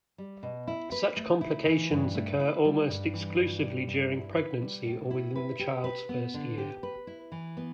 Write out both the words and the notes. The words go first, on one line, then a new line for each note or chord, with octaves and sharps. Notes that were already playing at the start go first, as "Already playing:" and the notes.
Such complications occur almost exclusively during pregnancy or within the child's first year.
G3
B2
E4
B4
A3
E4
E3
G2
A3
E4
G3
G2
E3
G2
G3
G2
E4
B4
G3
A2
E4
B4
G4
B4
B3
D3
G4
B4
E4
E3
B3